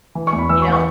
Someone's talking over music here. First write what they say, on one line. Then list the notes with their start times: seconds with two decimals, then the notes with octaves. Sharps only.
you know.
0.15 E3
0.27 C#6
0.33 E2
0.38 B5
0.49 E3 E6
0.62 C#6
0.68 E3
0.73 C#6